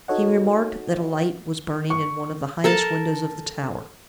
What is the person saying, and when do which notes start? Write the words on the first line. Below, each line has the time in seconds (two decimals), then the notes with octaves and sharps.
He remarked that a light was burning in one of the highest windows of the tower.
0.08 D#4 F#4 A4 C#5 D#5 F#5
1.90 C#6
2.64 A4 A#4 A5